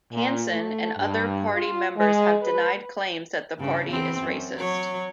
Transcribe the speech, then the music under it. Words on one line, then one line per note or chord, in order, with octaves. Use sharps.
Hanson and other party members have denied claims that the party is racist.
A#2
A3
G2
F4
G#3
B4
G2 C#3
E2 C4
F#2
F#3 C#5